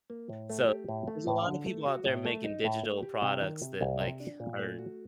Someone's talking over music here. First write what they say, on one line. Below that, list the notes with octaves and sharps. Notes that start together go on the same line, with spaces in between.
so, there's a lot of people out there making digital products that, like, are
A#3
A2
A3
G4
A2
A3
A2
D3
A3
F#4
A2
A3
D#4
A2
A3
G4
C3
D#3
C3
C2
C3
D4
A#2
A3
F#4